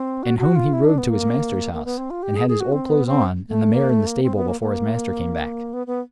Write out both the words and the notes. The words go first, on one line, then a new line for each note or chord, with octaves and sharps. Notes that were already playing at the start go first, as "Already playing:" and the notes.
And home he rode, to his master's house, and had his old clothes on and the mare in the stable before his master came back.
Already playing: C4
F#4
F#4
F4
E4
D4
B3
A#3
A#3
B3
C4
F4
G4
G#4
G#4
F#4
C4
B3
C4
A3
A#3
A3
A#3
C4
B3
A#3
A#3
B3
B3